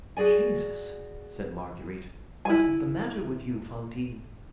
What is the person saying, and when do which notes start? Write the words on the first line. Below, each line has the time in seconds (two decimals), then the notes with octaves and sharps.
"Jesus!" said Marguerite, "what is the matter with you, Fantine?"
0.17 F#4 G#4 D5 G#5
2.45 E4 G#5